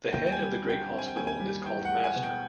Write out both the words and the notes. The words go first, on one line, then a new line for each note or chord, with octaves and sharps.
The Head of the Great Hospital is called 'Master'.
D#2 G5
G5
G#5
G3
D3
G5
C4
G#5
G5
D#2 G#5
G#5
G3
E2 G5
F#5
G#3
G#5
B2
G5